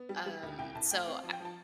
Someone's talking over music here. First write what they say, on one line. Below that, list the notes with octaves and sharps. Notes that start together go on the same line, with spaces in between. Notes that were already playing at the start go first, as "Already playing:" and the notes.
Um, so I
Already playing: B3
G3
G3
D2
C2 G5
C2 A5
A3 G5
C4 F5
F3
G5
F3 A5